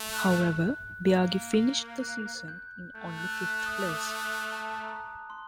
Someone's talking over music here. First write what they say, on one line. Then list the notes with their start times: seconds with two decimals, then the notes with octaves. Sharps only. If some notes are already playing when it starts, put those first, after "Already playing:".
However, Biaggi finished the season in only fifth place.
Already playing: A3
0.14 F#6
1.07 A#3
2.02 F#6
2.48 G6
2.95 A3 G6
3.19 F#6
3.42 F#6
3.66 D#6
3.89 D6
4.21 F#6
4.52 A5
4.83 A#5
5.30 C6